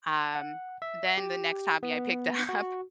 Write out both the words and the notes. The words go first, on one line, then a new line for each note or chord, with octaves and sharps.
um, then the next hobby I picked up
F#5
E5
G4
B3
F#4